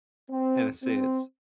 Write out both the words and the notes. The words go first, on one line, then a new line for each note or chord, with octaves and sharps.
in a sense.
C4
C4